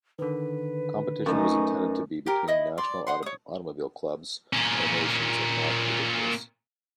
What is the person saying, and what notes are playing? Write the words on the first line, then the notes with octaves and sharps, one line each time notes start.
Competition was intended to be between national automobile clubs, or nations, and not individuals.
D3 D#3 B4
F#2 A3 D#4
G4 A#4
E4 D#5 D#6
D5 C6
C5 F#5 C6
C#5 D#6
A#2 C#4